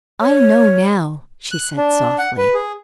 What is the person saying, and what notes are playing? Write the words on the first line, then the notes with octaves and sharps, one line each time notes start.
"I know now," she said, softly.
C#5
F#6
D4
F#5
B4
G#4